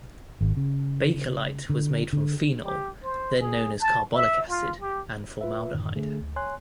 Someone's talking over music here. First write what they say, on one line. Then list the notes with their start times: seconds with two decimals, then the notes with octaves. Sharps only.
Bakelite was made from phenol, then known as carbolic acid, and formaldehyde.
0.41 G#1
0.57 C#3
1.69 D3
2.13 D3
2.65 G4
3.03 C5
3.39 G#4
3.81 A5
4.14 E5
4.49 F4
4.81 G4
5.41 F4 B4 E5
5.74 F#2 A2 D3 D#3
5.96 D3 A3 G#4
6.22 D2
6.36 C#5 G#5 C6 F#6